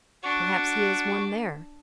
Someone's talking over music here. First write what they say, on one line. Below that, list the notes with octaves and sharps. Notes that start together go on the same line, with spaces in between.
Perhaps he has won there.
D4 F#4 F#5 C#6